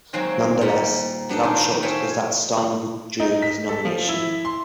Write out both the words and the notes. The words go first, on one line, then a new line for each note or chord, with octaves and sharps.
Nonetheless, the upshot was that Stein withdrew his nomination.
D#3 F#3 G#3 A#3 C4 F#4
A#2 G3 A#5
B3 D4 D#4 A4
A2 D#3
C4 F4 G#4 C#5 E5 G5
D#4
B6
A4
F3
E4
C6